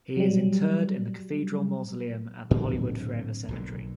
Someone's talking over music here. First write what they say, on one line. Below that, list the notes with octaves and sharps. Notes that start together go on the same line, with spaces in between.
He is interred in the Cathedral Mausoleum at the Hollywood Forever Cemetery.
F#3 G3
A2 D3 F#3 C4
B1 A#2 D3